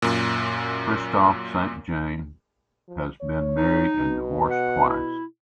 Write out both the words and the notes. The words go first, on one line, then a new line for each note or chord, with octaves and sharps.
Kristoff Saint John has been married and divorced twice.
F#2 A#2
F3
C#5
D#4
B2
F#5
E4